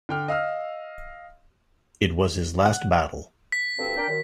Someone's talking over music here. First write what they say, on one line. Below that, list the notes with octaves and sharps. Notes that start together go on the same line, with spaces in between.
It was his last battle.
D3 G5 F6
D#5 F5 E6 F6
F#5
B6
D2 G2 C4
D4 A#4 G5
F#2 D#3